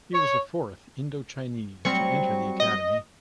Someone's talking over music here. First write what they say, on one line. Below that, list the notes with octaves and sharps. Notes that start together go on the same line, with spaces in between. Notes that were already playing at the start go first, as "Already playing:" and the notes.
He was the fourth Indochinese to enter the academy.
C#5
F#3 G3 C4 C#6
D#5